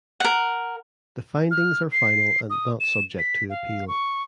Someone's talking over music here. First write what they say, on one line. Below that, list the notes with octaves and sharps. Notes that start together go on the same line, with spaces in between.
The findings are final and not subject to appeal.
A#4 F#5
F6
C7
D#6
E7
B6
F5
C#6